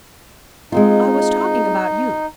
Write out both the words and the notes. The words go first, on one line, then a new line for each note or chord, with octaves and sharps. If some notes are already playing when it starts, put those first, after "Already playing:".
I was talking about you.
G#3 C4 D#4 F4